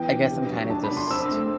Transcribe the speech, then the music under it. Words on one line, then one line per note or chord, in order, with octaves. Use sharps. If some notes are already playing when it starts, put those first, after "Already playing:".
I guess I'm kinda just
Already playing: E3 B3 G5
D4
C3
F#3
D4 A5
B5
D4
C6
C4 E6
A3